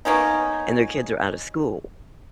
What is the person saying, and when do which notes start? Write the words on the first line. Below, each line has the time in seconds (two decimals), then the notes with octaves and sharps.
and their kids are out of school,
0.05 A#3 B3 C#4 D#4